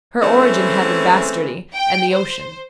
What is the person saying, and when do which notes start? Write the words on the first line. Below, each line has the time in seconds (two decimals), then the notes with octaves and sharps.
Her origin had been bastardy and the ocean.
0.22 E3 G#3 A3 C4 C#4 E4
1.74 G5
2.12 C5